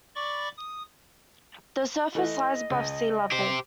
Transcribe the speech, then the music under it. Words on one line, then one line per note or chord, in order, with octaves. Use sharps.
The surface lies at above sea level.
D5 B5 C#6 D6
D#6
E3 A3 B4 D#5
C#2
G4 C5